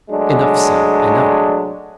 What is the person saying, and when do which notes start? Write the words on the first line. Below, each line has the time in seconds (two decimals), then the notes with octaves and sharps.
Enough, sir, enough.
0.10 F#3 G#3 A3 D4